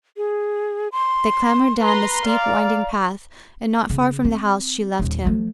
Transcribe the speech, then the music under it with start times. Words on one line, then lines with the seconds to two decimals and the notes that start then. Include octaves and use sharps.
They clambered down the steep, winding path, and not far from the house she left him.
0.17 G#4
0.92 C6
1.80 B4 A#5 C6
2.27 D5 F5 A#5
3.90 C#3
4.25 C4
5.00 D#1 D#2
5.25 F3 A3